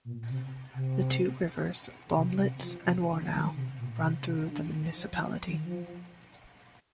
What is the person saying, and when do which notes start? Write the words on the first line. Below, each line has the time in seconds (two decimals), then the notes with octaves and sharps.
The two rivers, Bomlitz and Warnau run through the municipality.
0.04 A#2
0.28 C3
0.74 C3
2.14 C3
2.38 C3
2.61 F3
2.84 C3
3.08 D3
3.31 D#3
3.55 C3
3.78 A#2
4.01 C3
4.24 C3
4.48 D3
4.71 D#3
4.95 F3
5.11 F3
5.47 D#3
5.64 F3